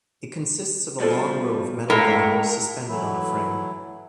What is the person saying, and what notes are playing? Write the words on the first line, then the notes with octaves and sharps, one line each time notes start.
It consists of a long row of metal gongs suspended on a frame.
B2 F3 G3 A4 C5 D5
A2 G#3 A#3 A4 A#4 F5
E3 F#3 A3 E4